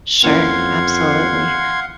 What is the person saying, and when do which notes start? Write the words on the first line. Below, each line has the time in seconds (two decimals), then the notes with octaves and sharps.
Sure, absolutely.
0.23 F2 E3 A#3 C#4 F5 F#5 C6 G#6